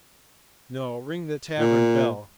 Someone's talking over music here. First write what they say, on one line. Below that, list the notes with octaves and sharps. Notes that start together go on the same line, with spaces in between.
"No. Ring the tavern bell!"
A#2